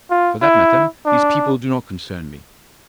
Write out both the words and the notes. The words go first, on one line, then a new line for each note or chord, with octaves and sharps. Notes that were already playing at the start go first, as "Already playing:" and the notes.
For that matter, these people do not concern me.
F4
E4
D4